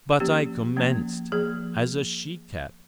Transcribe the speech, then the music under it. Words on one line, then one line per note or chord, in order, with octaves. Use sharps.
"But I commenced as a she-cat."
F3 A#3 C#4 G4
F3 A#3 C#4
F3 A#3 G#4